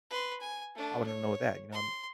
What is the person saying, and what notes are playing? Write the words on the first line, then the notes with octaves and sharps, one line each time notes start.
I wanna know that, you know, and
B4 C6
G#5
A3 D4
C#5
C6